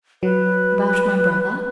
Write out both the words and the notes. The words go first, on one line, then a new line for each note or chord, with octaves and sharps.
"About my brother?"
F#3 B4